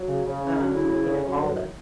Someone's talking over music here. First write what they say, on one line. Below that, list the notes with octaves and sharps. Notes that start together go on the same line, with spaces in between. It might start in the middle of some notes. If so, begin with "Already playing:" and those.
um, you know, all the
Already playing: F#3
C#3
C#3
C#4
F#3
C#3 E4
C#3
C#4
F#3
G2